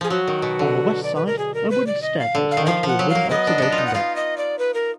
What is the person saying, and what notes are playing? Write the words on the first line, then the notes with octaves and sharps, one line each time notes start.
On the west side, a wooden staircase led to a wooden observation deck.
F3 G#4
F#3 F#4
D#3
B2
D3
D5
B4
A#4
G#4
A#4
B4
D5
D#5
F5
D3
F5
D#3
F3 F5
F3 F#5
F#3
F5
A#3
B3 D#5
D4
B3 D4
F4
D#4
F#5
F4 F5
D#5
D5
B4
A#4